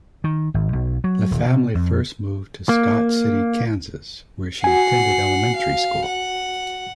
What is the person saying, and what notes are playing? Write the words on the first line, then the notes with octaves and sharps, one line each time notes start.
The family first moved to Scott City, Kansas, where she attended elementary school.
D#3
G#1
B1
F#3
D#1
B2
F2
A#3
F#4 F#5 G#5 C7
F5
F#5